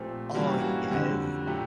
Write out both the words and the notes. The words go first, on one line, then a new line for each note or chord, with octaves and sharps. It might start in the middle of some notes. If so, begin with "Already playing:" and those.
Oh, yes.
Already playing: A#2 F3 A3 C4 G4
G2 E3 G3 A#3 C#4 F#4
G4
F#4
F2 D3 G3
F#4
A#2 F#3 A3 G4